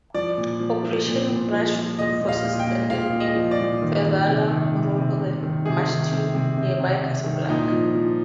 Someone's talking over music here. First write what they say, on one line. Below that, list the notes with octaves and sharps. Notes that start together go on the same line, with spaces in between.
Operation Brushwood forces landed in Fedhala, Morocco, then marched to nearby Casablanca.
F3 D5
A#2
F3
F3
A#2
A#2
F3
F3
A#2 D#5
A#2
F5
A#2
G5
A#2
A#2 F5
A#2
D#5
F3
D5
A#2
D#3
D#3
C3
D#3
C3
C3
C3
D#3
C3 G#4
D#3
C3
C3
C3
C3
C3
D#3
A#2 D#4
F3
F3